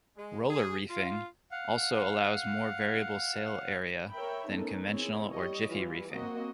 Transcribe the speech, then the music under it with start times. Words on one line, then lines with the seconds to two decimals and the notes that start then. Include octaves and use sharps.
Roller reefing also allows more variable sail area than conventional or jiffy reefing.
0.16 G#3
0.49 G#4
0.90 F4
1.51 F5 F#5
4.12 A#4 C#5 E5 G5 B5
4.50 A3 B3 C#4 D#4 A4 A#4
4.91 D#3 C4 E4 G#4 C#5
5.32 G3 C#5 D#5
5.69 E3 G3 F4
6.12 F#3 A#3 C4 F#4 D#5